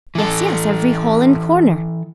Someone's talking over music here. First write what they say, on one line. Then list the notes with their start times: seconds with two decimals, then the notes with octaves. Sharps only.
"Yes, yes, every hole and corner."
0.15 E3 A4